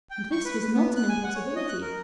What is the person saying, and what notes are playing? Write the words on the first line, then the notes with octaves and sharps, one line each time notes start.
And this was not an impossibility.
G5
C#6
B4
B4
B3
F#6
G#5
F#5
C#5
D#5
F#6
A#4